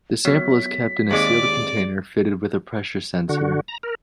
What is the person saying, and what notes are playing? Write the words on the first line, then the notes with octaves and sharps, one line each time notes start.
The sample is kept in a sealed container fitted with a pressure sensor.
F#3 B3 B6
D#2 G#3 C4 G4 G#4 D5 D6
D3 F#4
A#5
A#4